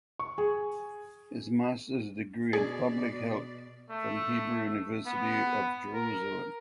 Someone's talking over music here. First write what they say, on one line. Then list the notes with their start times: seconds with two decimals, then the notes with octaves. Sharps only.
His Masters degree in Public Health from Hebrew University of Jerusalem.
0.19 C#6
0.38 G#4
2.53 B2 G#4 D5
3.90 A3
5.06 B3
5.94 A#4